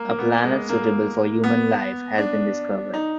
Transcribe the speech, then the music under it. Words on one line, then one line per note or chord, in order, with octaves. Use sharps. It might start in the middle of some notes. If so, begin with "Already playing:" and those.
A planet suitable for human life has been discovered.
Already playing: A#3
A#3
B3
G#3
A#3
B3
D4
D#4